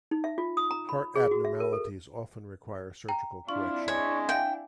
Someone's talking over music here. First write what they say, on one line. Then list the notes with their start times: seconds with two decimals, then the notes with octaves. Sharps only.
Heart abnormalities often require surgical correction.
0.11 D#4
0.24 E5
0.38 F4
0.57 D#6
0.71 A#5
0.89 B5
1.15 G#4
1.31 F#4
1.45 E5
1.60 A#4
1.73 A4
3.09 G5 A#5
3.49 C4 D4 E4 F4 C#6
3.88 G#3 C#5
4.29 E5 F5 G5 G#5